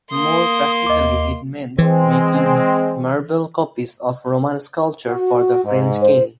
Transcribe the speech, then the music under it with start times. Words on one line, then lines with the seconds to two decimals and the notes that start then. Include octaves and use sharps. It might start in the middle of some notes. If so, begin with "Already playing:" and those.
More practically it meant making marble copies of Roman sculpture for the French king.
0.12 A#3 C6 D#6
0.86 D#2 D#5 D6
1.78 E3 G#3 C4
5.07 F#4
5.64 G#2
6.01 C5